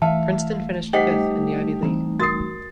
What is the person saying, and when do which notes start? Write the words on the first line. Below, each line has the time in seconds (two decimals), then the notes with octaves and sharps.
Princeton finished fifth in the Ivy League.
0.02 E3 A3 E5 F5 A5
0.93 G3 A3 D#4 G4 C5 D#5 F#5
1.83 E3 C4 A#5
2.20 F#4 A#4 D#6 A6 C7